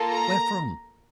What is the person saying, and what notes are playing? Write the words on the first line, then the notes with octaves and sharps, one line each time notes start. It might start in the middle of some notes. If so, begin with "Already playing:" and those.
"Where from?"
Already playing: A#3 F4 A4
A#5